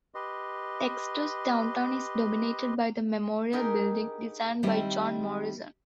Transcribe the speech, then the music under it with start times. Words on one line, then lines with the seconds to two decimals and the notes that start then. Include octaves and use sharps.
Dexter's downtown is dominated by the Memorial Building, designed by John Morrison.
0.15 G4 B4 D#5 C6
3.52 B3 D4 D#4 G4 G#4 A#4
4.63 D#3 G3 C4 E4 G4